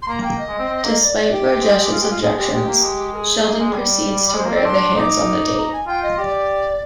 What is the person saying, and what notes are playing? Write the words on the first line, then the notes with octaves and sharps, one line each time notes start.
Despite Rajesh's objections, Sheldon proceeds to wear the hands on the date.
C6
A#3 A#5
A#3 G5
D#5
G#3
C4
C4
A#3
D5
D5
G4
G#3
F4
G4
F4
G#3 G#4
G#3 G4
G#3 G4
A#3
G#3
A#4
G#4
A#3
G#3
G3
G3
G#3 C5
A#3
C4 D5
D4 C6
D#4 D6
A#5
G#5
F4 G5
D#5
G4 D5 D#5